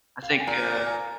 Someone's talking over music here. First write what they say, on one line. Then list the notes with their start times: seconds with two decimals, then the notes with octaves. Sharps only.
I think, uh
0.22 F5
0.31 G5
0.40 G#5
0.47 A#2 A#5
0.76 A#5
0.87 G#5